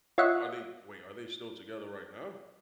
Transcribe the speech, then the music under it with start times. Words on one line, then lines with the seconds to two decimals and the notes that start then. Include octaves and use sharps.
Are they wait, are they still together right now?
0.18 F4 C#5 D#5 E5 F#5